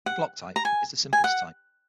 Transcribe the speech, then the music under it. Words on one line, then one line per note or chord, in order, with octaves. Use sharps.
The block type is the simplest type.
F#5
A#5
G#5
G#5
F#5